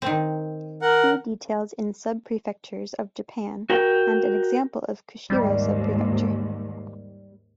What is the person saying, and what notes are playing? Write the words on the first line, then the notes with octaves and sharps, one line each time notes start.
See details in Subprefectures of Japan and an example of Kushiro Subprefecture.
D#3 C4
A#4 F#5
F#4 A#4 G5
D#2 G#2 G3